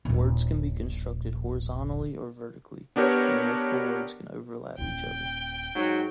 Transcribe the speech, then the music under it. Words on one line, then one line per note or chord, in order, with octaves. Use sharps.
Words can be constructed horizontally or vertically, and multiple words can overlap each other.
D#1 A#1
B3 D4 G4 A#4 B4 C#5
D#1 E4 G5
G#2 F#3